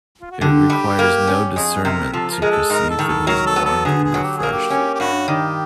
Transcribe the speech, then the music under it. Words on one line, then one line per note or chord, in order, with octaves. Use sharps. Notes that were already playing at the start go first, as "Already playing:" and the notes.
It requires no discernment to perceive that he is warmed and refreshed.
F4
F#4
D3 G4
G3
A#3
C#4
F2 G#4
C3 A#4
F3 A4
A#4
G#3 A#4
A4
G#2 A#4
A4
D#3
A4
F#3 A#4
A4
B3
A4
D3 G#4
G#4
F#3
G4
G#4
A#3
G4
C#4
G4
G2 F#4
D#3 G4